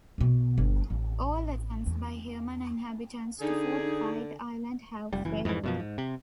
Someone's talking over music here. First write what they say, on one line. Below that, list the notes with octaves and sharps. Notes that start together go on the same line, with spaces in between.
All attempts by human inhabitants to fortify the island have failed.
B1 B2
G1
A1
E2
D3 D4 D#4 G#4
F1 G3
F#1 E3
F2 G#2 D3 E3
F#2 B2 F3
G#2
C3